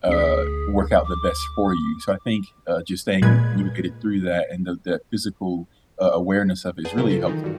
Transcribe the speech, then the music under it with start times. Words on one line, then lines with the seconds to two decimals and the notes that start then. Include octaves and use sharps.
uh, work out the best for you. So, I think, uh, just staying motivated through that and the the physical, uh, awareness of it is really helpful.
0.08 D2 G#4 B6
1.05 D6
3.22 A#2 G#3 B4 G#6
6.85 G#4 B4 D5 F#5 A5 G6
6.98 C#3 F#3 E4 A#4
7.10 F4 A4
7.27 D#3 E3 D#4
7.44 G2 F#4